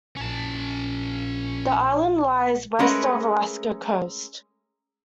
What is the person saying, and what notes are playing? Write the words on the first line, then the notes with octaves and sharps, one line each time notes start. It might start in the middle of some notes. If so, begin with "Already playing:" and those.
The Island lies west of the Alaska coast.
A#1 C#4 A5
G#3 A3 C#4 G#4 A#4 B4